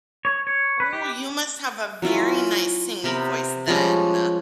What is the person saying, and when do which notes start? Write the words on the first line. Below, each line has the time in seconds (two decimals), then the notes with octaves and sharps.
Ooh, you must have a very nice singing voice then.
0.25 C#5
0.47 C#5
0.80 B4
0.93 G4
2.02 F#3 C#4 E4 F4
3.04 C3 B3 A#4 B5
3.68 F3 G3 G#3 C#4